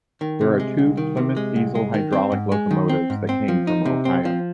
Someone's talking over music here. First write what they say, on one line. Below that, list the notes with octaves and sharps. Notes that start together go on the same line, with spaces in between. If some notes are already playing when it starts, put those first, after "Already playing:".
There are two Plymouth diesel-hydraulic locomotives that came from Ohio.
D#3
C3
G#3
C2
D#3
C3
G#3
C2
G#3
D#3
C4
G#2
G#3
D#3
C4
G#2
C4
F3
D#4
C3
C4
F3